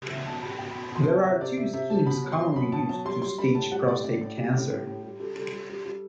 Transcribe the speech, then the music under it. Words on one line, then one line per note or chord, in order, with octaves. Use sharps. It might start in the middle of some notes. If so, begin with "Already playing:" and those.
There are two schemes commonly used to stage prostate cancer.
B2 E5
B2 A5
B2 B5
B2 G5
B5
B2
B5
B2 C6
C3 A5
C3 E5
C3 D5
C3 E5
C3 E5
G3 A5
B2 B5
F#3
C6
F#3
B2 B5
B2 A5
F#3 A5
G3 C6
G3 C6
G3 B5
A2 A5
G3 F#5
A2 D5
A2 D5
A2
G3
A2 G4
A2
A2
G3
G3 A4
G3 A4
G3
G3
G3